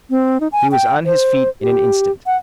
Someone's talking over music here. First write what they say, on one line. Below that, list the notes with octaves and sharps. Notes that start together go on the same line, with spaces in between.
He was on his feet in an instant.
C4
D#4
G#5
G5
C5
G4
F#5